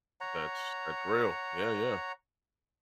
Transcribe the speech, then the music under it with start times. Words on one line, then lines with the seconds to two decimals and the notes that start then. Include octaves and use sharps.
That's that's real. Yeah, yeah.
0.21 C#5 F#5 A#5